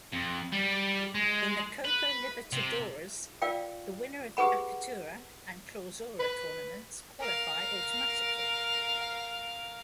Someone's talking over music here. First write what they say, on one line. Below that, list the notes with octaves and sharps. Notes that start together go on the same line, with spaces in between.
In the Copa Libertadores, the winner of the Apertura and Clausura tournaments qualify automatically.
F2
G3
G#3
B4
C3
F4 A#4 D5 F5 G5
G4 G#4 B4 F#5 B5
B4
A#4 F5